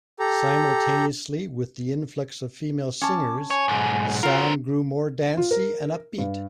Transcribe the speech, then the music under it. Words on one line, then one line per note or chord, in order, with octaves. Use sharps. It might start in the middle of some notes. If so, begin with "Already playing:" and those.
Simultaneously with the influx of female singers, the sound grew more dancey and upbeat.
G4 A4 A#5
C#4 A5 D6
C#5 G#5
B1 G#2
C4 F4 F#4 A#4
F4
A#4
G2